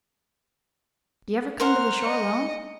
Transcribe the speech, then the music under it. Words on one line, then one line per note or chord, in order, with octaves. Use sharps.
"Do you ever come to the shore alone?"
A#4 C5 F#5 F6
D#5 C#7